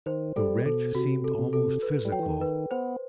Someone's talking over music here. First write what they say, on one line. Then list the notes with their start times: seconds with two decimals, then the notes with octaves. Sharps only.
The wrench seemed almost physical.
0.06 D#3 C5
0.36 G3 A4
0.66 B2 A4
0.95 C3 F#4
1.24 A4
1.39 C3
1.53 A4
1.82 B4
2.05 G3
2.12 F#3 G5
2.19 E3
2.26 D#3
2.41 B4
2.71 B3 C5